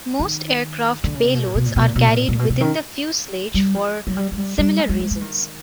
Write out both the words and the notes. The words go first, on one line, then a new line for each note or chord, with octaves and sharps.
Most aircraft payloads are carried within the fuselage for similar reasons.
D#3
D3
C#3
C3
B2
A#2
B2
A#2
B2
A#2
B2
A#2
A#2
B2
C3
D#3
G3
F3
F#3
G3
G#3
G3
G3
G#3
G#3
G#3
G#3
D#3